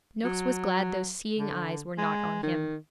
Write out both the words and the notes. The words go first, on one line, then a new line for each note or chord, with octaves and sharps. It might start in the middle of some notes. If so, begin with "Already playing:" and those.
Noakes was glad those seeing eyes were not on him.
F#3
D3
G#3
D#3